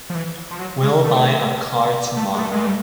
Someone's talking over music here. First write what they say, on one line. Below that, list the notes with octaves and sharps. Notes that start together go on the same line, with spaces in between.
We'll buy a car to-morrow.
F3
E3
F3
F#3
G#3
A3
A3
G#3
A3
G#3
A3
G3